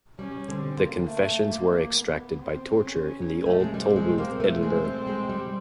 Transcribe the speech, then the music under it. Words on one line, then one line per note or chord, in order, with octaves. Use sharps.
The confessions were extracted by torture in the Old Tolbooth, Edinburgh.
G3 C#4
D3 C4
A#3
A3
A#3
B3
C4
C#4
A3
G#3
G3 C4
G#3
A#3 C4
A3
G#3 C4
G3
G#3
G3